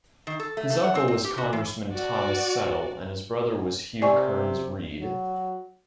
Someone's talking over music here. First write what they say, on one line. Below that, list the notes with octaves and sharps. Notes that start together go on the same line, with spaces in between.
His uncle was Congressman Thomas Settle, and his brother was Hugh Kearns Reid.
D#3
A4
A3
A3
F#5
C4
C4
G4
F#4
E3
F#4 D5
C3 D5 G#5 C#6
F#3